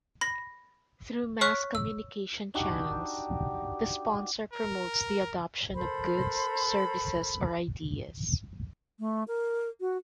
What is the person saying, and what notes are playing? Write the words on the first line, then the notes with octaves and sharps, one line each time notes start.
Through mass communication channels, the sponsor promotes the adoption of goods, services or ideas.
B5 A#6
C#5 C#6 F6 F#6 B6
E6
D4 D#4 F#4 G4
A#4
A4 A#4 C5 B5
A3
A#4
F#4